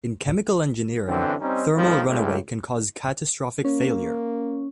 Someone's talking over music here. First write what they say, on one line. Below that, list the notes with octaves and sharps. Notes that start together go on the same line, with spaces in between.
In chemical engineering, thermal runaway can cause catastrophic failure.
F#2 D3 E3 C4
G3 C4 C#4 D#4
F2 A2 D#3 F3 G3 C4
C#2 A2
A#3 C#4